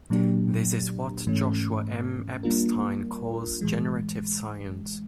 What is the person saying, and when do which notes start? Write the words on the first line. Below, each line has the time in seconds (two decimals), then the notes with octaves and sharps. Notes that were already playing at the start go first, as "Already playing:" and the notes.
This is what Joshua M. Epstein calls generative science.
0.10 A#2 F#3 A#3 D4 G4
1.27 G#2 E3 A3 C#4
2.43 G3 A#3 D4 F4 A#4
3.61 A2 E3 G#3